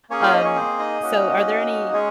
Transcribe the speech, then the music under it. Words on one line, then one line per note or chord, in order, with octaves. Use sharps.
Um, so, are there any
A#3 C#4 G#4 C#5
F4 F5
D#4 D#5
C#4 C#5
C4 C5
D#4 D#5
A#3 C#4 F#4
G#3 C#4 G#4 C#5